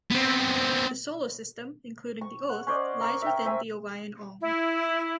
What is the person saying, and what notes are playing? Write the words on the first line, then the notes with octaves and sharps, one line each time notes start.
The Solar System, including the Earth, lies within the Orion Arm.
B3 C4
C#6
F#5
C#4 C5 D5 D#5
A#4 C#6
E5 G5
C5 E5 G#5
E4